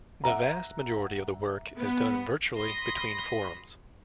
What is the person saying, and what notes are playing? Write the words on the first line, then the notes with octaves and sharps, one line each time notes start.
The vast majority of the work is done virtually between Forums.
E5 F#5 A#5
B3
B5 C6 D#6 A#6